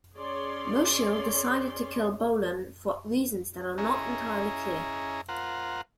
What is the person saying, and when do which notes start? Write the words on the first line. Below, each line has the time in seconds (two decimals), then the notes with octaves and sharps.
Mosheel decided to kill Bolon for reasons that are not entirely clear.
0.16 C#4 G#4 C#5 D5 C6
3.78 C#4 E4 G#4 D#5 A#5
5.29 F4 A#4 C5 F#5